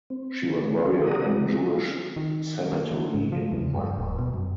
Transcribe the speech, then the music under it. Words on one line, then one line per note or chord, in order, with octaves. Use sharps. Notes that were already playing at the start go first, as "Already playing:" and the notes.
She was buried at Jewish cemetery in Mannheim.
C4
C#4
G4 G#4 D5 F#5 A#5 D#6
E3 G#3 C4 F#4
D#3
A#3
E3
G#2
F3
E2
G2
D1
B2
F#2